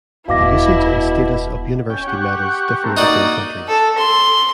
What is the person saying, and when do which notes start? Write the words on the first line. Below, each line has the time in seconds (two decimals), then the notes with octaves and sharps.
The usage and status of university medals differ between countries.
0.29 E1 F#2 B2 E4 F5 D6 A#6
1.90 C#4 G5
2.08 G4 F#5 C#6
2.84 A3 C4 A#4
2.97 A#3 D#4 F#4 D5 D#6
3.68 A4
3.98 C6